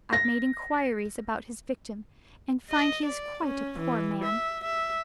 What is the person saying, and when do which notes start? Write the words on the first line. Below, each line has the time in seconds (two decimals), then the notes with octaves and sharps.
I've made inquiries about his victim, and find he is quite a poor man.
0.13 A#6
2.71 D#5
3.06 D5
3.44 C#4
3.79 E3
4.24 E5
4.64 E5